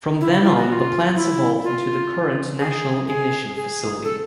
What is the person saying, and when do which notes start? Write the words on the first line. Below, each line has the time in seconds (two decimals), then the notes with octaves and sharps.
From then on the plans evolved into the current National Ignition Facility.
0.21 E4
0.33 E4
0.44 F4
0.57 F#4
0.68 F#4
0.72 F4
1.16 E4
1.64 F4
2.59 G#4
3.08 G#4
3.56 G#4
4.04 A4